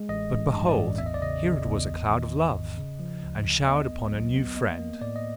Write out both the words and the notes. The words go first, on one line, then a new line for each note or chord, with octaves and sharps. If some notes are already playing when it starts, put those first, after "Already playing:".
But behold, here it was a cloud of love, and showered upon a new friend.
Already playing: G#3
A1 D#5
A1
G2
D5
A1
E2 E5
D#5
D5
C#3 D#5
C#3
E2
G#1
D#3
G#1
G#2
C#3
F3
D2
D2
B3 D#5
B1
F#3
B3
A#3 D#5
A#3
A2 D5
D#5